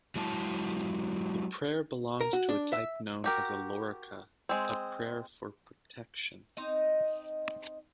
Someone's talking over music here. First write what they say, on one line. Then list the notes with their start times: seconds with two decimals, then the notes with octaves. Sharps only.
The prayer belongs to a type known as a "lorica", a prayer for protection.
0.16 F#3 G#3 E4 A5
2.21 A#4
2.33 F#4
2.49 D4
2.73 E5
3.24 F#4 G4 A#4
4.49 G#3 C4
6.57 C4 D#4 D#5